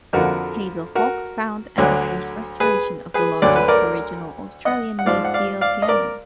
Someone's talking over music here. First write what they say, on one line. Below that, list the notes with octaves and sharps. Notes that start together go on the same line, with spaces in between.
Hazel Hawke found and arranged restoration of The Lodge's original Australian-made Beale Piano.
F2 D3 F3 F#4 A#4
F#4 A#4
D2 D3 F#3
G#4 B4
G#4 B4
D2 D3 F#3 D5
B4
A#4 D5
D#5 F#5
F#5
G#2 F3 D5 F5
F#5
D5 F5
D5 F5
D#5
A#4 D5